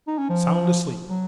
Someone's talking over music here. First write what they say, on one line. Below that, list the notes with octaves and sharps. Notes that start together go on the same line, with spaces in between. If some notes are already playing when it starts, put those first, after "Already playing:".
Sound asleep!
D#4
C#4
F3
F#3